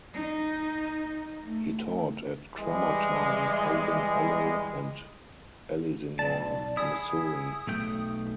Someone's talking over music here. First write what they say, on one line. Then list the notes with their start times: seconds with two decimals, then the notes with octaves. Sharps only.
He taught at Crommertown, Hogan Hollow and Ellsinore, Missouri.
0.14 D#4
1.42 A3
2.59 E3 G3 G#3
6.19 B1 D5 A5
6.77 E4 G#4 D#6
7.67 B1 A3 G5